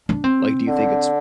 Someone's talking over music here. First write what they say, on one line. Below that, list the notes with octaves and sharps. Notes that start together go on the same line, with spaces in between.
Like, do you think it's
D4
C4
D3